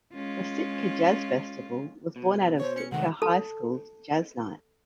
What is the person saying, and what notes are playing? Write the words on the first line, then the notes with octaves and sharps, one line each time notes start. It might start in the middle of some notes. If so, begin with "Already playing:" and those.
The Sitka Jazz Festival was born out of Sitka High School's jazz nights.
G#3 C#4 F4
B2
C5 C#5
C#4 C#7
C3 D#3 G#3 A3 F#5
A4 A5